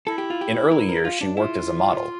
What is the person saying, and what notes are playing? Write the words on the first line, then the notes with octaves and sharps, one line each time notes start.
In early years she worked as a model.
E4 A4
G4
F4
G4
A#4
A#4
F4
D4
E4 F4